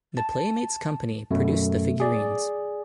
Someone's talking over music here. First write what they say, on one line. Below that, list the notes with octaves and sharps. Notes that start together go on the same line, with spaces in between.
The Playmates company produced the figurines.
A5
F#2 B2 A3
G#4 D5